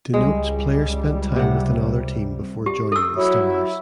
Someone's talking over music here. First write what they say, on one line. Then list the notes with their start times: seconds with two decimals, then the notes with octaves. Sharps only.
Denotes player spent time with another team before joining the Stars.
0.14 C#2 G3 G#3
1.36 C3 F#5
2.66 G4
2.92 A4 E6
3.17 F#3 E4